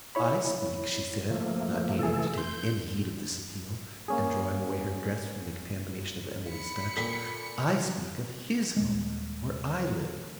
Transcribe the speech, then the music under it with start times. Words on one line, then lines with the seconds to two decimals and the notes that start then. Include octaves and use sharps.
'I speak,' she said, not deigning to take any heed of this appeal, and drawing away her dress from the contamination of Emily's touch, 'I speak of HIS home--where I live.
0.15 E4 C#5 B5
1.31 C#2 F3 A3 A#3
1.99 C2 E3 A3 G#4 A4
2.38 C6 G6
4.08 A#3 C#4 G#4
6.46 B5 C#7
6.96 A#2 A4 B6
8.77 D#1 G#3